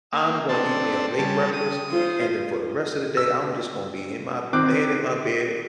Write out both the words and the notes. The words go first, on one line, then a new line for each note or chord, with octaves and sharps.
I'm gonna eat me a late breakfast, and then for the rest of the day, I'm just gonna be in my laying in my bed,
A#3
C4 D4 A4
C#3 G3 A5
D#6
F4 C5
E6
D#3 C4 D6 F#6